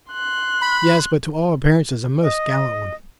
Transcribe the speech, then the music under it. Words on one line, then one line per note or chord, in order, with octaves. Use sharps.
"Yes, but to all appearances a most gallant one."
C6 F#6
B5
D#5